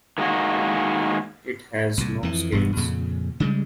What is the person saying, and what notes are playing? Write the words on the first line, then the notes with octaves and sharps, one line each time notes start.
It has no scales.
D#3 G#3 A#3 F#4
C2 A#2
F2 E3
E1 G2 B3
F2 A#2 C#3
C#3 G3 G#3